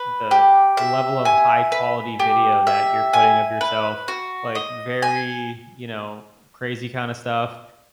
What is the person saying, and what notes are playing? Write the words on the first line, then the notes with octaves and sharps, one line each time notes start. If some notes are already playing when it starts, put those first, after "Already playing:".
the level of high quality video that you're putting of yourself, like, very, you know, crazy kinda stuff,
Already playing: B4
G4
E5
G#5
B4
G4
E5
G#5
B4
F#4
D#5
G#5